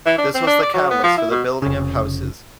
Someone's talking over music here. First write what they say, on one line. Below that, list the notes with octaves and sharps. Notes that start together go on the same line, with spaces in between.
This was the catalyst for the building of houses.
E3
D4
C4
D4
D5
F#3
B3
F3
E4
B2
F1 C#3